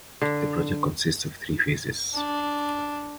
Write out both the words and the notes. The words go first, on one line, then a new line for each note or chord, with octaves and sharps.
The project consists of three phases.
D3
D4